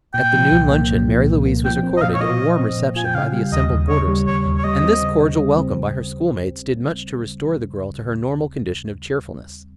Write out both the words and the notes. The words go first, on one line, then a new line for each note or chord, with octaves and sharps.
At the noon luncheon Mary Louise was accorded a warm reception by the assembled boarders and this cordial welcome by her school-mates did much to restore the girl to her normal condition of cheerfulness.
A#2 G5
F3
C2
A#3
A#2
F3
C2
A#3
F3 G5
C4
D#5
A#2 F5
C#5
F4 D#5
F3
C4
A#2
F4 G#5
G5
C#3 F5
G3
D#2 D#5
D#2
C#3 C#5
G3
D#2 C#5
D#2
C#5
G3 D#5
C4
C#3
C#3
G3
C4